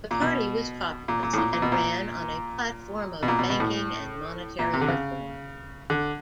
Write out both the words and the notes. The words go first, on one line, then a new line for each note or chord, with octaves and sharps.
The party was populist and ran on a platform of banking and monetary reform.
A#2
B2
A#2
A#2
A2
A#2
A#2
B2
A#2
B2
A#2
B2
B2
A2
A#2
C3
D3
C#3
D3